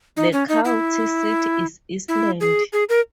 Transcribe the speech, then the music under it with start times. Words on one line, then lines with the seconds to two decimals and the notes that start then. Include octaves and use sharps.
The county seat is Eastland.
0.17 D#4
0.33 C#4
0.49 D#4
0.65 E4
2.08 E4
2.41 G#4
2.73 G#4
2.89 A#4